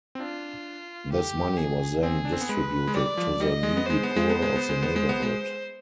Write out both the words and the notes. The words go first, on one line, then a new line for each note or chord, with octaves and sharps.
This money was then distributed to the needy poor of the neighborhood.
C4
D4 F4
G4
G#4
C4 G#4
D4
C4
B3
G#3 B4
G#3
G3 D5
F3
G3 D#5
G#3
B3
G#3 C5
B3
G#3
B3
G#3
B3
G#3
B3
G#3
B3
G#3